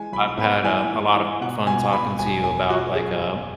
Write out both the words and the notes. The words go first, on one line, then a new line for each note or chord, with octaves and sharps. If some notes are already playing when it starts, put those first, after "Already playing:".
I've had, um, a lot of fun talking to you about, like, um,
Already playing: E3 G#3 G#5
B1 B5
B3 B5
E3 G#5
E3
E3
B2 F#5
B2 G#5
B2 B5
E1 G#5
E2 G#5
E1 F#4
F#2 G#4
F#2